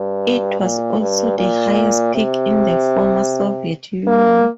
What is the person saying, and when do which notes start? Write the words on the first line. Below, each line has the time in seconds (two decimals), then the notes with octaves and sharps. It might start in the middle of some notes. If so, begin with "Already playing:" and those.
It was also the highest peak in the former Soviet Union.
Already playing: G2
0.61 A#2
1.00 G2
1.38 A#2
2.15 C3
4.07 A#3